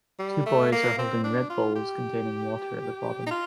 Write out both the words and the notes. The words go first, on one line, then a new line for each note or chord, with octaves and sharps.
Two boys are holding red bowls containing water at the bottom.
G3
A3
A#3
C4
D4
F4
G4
D#4
F4